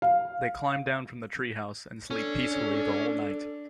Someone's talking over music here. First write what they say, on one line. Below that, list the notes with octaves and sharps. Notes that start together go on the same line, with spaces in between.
They climb down from the treehouse and sleep peacefully the whole night.
F5
C#4 D4 A4